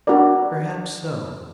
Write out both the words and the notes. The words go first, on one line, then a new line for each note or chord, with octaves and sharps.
Perhaps so.
D4 F#4 A#4 D5